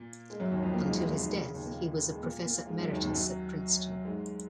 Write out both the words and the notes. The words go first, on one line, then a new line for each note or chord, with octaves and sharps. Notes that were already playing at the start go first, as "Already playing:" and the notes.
Until his death, he was a professor emeritus at Princeton.
Already playing: A#2 A#3
G#3
F#2 F#3
D#2 D#3
F2 F3
A#2 A#3
G#2 G#3
F#2 F#3
D#2 D#3
D#2 D#3
C#3
C#3
D#2 D#3
A#2 A#3
G#3
A#2 A#3
A#2 A#3
G#2 G#3
F#2 F#3
D#2 D#3
D#2 D#3
F#2 F#3
G#2 G#3